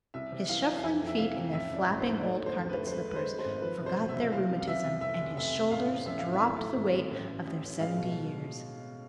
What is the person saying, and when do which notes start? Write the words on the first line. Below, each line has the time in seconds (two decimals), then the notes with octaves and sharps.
His shuffling feet, in their flapping old carpet slippers, forgot their rheumatism, and his shoulders dropped the weight of their seventy years.
0.14 C2 E5
0.32 C3
0.49 E3 F5
0.67 E3
0.78 F5
0.83 F2 G#5
1.02 F2
1.07 E5
1.18 C3 F5
1.36 F2
1.53 A1 E5
1.72 A1 D5
1.88 A1
2.00 C5
2.05 G#2
2.23 A3 D5
2.40 D3
2.46 C5
2.58 F2
2.70 B4
2.76 A3
2.87 C5
2.93 G#3 B4
3.10 G#3 B4
3.16 C5
3.27 G#3
3.39 C5
3.45 G#1
3.62 F3 B4
3.80 C3
3.86 C5
3.98 E1
4.09 E5
4.15 C3
4.32 C2 F5
4.49 C2
4.61 F5
4.67 C2 E5
4.84 C2
5.01 F1 E5
5.19 F1
5.37 F1 E5
5.54 F1
5.71 A1 F5
5.89 A1
6.06 A1 E5
6.19 F5
6.24 A2
6.33 E5
6.41 G#1
6.58 A3
6.76 G#1
6.93 G#1
7.11 A1
7.28 A1
7.45 A1
7.63 A1
7.80 G#3 F5
7.97 B2